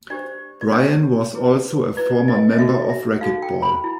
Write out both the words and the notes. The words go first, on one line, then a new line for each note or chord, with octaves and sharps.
Brian was also a former member of Racketball.
D4 G4 C5 D5
D5
D4 G4 C5 C#5
E4 G#4 B4
E4 G#4 B4 D5
D#5
D#5
D#4 F#4 A4 E5
E5
D#4 F#4 A4 F5
G5
B5
E4